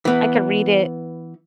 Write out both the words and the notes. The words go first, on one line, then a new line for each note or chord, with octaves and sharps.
I could read it
E3 B3